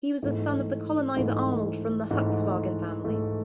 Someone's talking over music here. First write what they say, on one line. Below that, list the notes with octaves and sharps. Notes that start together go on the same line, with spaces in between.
He was the son of the colonizer Arnold from the Huckeswagen family.
G#2 E3 A3
G#2 E3 A3
G#2 E3 A3
G#2 E3 A3